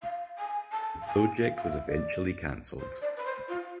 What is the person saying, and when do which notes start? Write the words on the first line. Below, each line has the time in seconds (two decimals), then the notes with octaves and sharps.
The project was eventually cancelled.
0.02 F5
0.37 G#5
0.71 A5
1.01 F5
1.06 G#5
1.41 F5
1.56 F5
1.63 E5
1.87 D5
2.78 C5
3.01 D5
3.16 B4
3.25 C5
3.48 F4